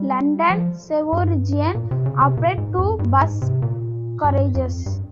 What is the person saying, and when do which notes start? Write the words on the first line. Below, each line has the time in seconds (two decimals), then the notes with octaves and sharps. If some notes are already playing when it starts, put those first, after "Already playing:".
London Sovereign operate two bus garages.
Already playing: G3
0.50 F3
1.13 G2
1.75 A#2
1.91 C3
2.06 C#3
2.22 C3
2.37 A#2
2.58 G#2
2.78 F2
2.99 G2
3.21 G#2
3.42 C3
3.62 A#2
4.24 G2
4.55 F2
4.86 G2